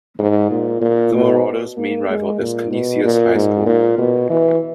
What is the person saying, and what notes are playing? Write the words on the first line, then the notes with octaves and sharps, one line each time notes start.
The Marauders' main rival is Canisius High School.
G#2
A#2
A#2
B2
A#3
G#3
A#2
B2
A#2
G#2
A#2
B2
E3